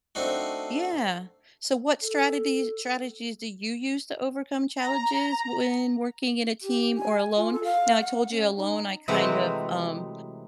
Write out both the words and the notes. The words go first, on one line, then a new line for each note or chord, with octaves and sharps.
yeah, so what strategies strategies do you use to overcome challenges when working in a team or alone? Now, I told you alone, I kind of, um,
A3 C4 D4 D#4 F#4
A4
A#5
G4
G#5
F4
A4
F5
F#5
C#4
D#4
C3 E3 F#3 G#3 A3 C4